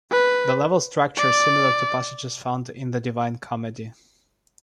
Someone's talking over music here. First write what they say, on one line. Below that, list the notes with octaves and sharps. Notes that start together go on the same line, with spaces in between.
The level structure is similar to passages found in the Divine Comedy.
B4
D5